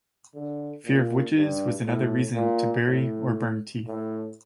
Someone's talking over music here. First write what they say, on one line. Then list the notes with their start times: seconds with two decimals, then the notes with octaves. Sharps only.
Fear of witches was another reason to bury or burn teeth.
0.34 D3
0.85 A#2
1.35 G2
1.86 A2
2.35 A#2
2.86 A2
3.87 A2